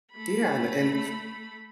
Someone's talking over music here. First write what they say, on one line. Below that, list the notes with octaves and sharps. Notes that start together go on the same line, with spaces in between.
Yeah, an and
A3 B5